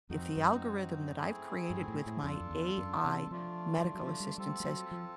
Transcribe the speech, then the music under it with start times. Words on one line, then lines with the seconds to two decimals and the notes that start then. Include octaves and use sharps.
if the algorithm that I've created with my AI medical assistant says,
0.10 F2 C4 D#4 F#4
0.37 F#2
1.17 A3 C4 E4 G#4
1.70 G2
1.83 A#2
1.88 A2
2.06 A2
2.23 F2 D4 F4 A4
2.40 F2
2.51 E2
2.78 F#2
3.04 C3
3.27 F#3
3.31 F3 A3 D4 F4
3.78 F3
3.84 E3
3.95 F#3
4.02 F3
4.20 G3
4.38 G3 C4 F4 A4
4.60 G3
4.64 F#3
4.91 F3